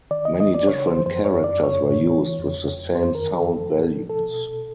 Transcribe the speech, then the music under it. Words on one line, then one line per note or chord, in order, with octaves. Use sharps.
Many different characters were used with the same sound values.
D#3 D5
D#3 D#5
D#5
F#2
D5
C#3 C#5
F3 C5
F#2 C5
F#2 C#5
F#2 D5
F#2 C#5
A2
E3
E3
F2
F2
F2
F#2 C5
D#3 A#4
F#2 A4
F3
A2
F3
B2 A4
B2
B2